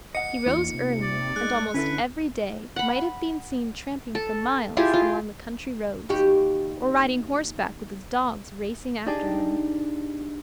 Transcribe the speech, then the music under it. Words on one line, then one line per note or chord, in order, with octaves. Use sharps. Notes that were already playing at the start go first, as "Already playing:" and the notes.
He rose early and almost every day might have been seen tramping for miles along the country roads, or riding horseback with his dogs racing after him.
D#5 F#5 C#7
E2 A#3 D#4 F4
C3
D5
G#3 F#6
D3 C#4 E4 A4 B4
F#5 B5
A4
E4 F4 G4 G#4
F4
D#2 F#4 G4
D4 D#4 G4 G#4 D5 A5